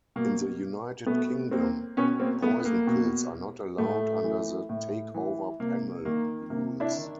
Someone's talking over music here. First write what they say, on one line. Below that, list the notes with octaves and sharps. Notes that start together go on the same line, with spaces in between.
In the United Kingdom, poison pills are not allowed under the Takeover Panel rules.
B2 A#3
B2 A3 B3
A#3 C4
B2 B3 C#4
A#3 C4
A3 B3
B3
A#3
B2
A2 A3
E3
A2
E3
C3 A#3
D#3 A#3
C3 A#3
D4 E4
D#3